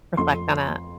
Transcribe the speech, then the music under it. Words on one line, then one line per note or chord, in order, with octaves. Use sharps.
reflect on a
F2 C6